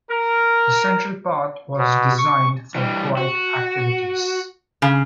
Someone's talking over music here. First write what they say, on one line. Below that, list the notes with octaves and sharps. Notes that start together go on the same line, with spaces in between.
The central part was designed for quiet activities.
A#4
B2
C#6
E3 G3
F#4
C#3